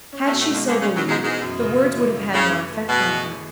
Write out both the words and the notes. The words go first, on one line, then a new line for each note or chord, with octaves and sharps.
Had she so believed, the words would have had more effect on her.
C#4
A2 A3
B2
A2 A3
D2 D3 G#3
D2 D3 G#4
C#3
C#4
F#2 F#3
G#2 B2 G#3
G#2 E3 G#3
F#2
C#3
F#2
E3
F#2
C#3 E4
E3
A3
B2 G#4
E4
E3